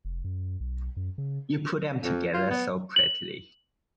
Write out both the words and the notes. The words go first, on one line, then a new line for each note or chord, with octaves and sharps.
You put 'em together so prettily.
F1
F#2
B1
F#2
C#3
F2
F4
B3
F#7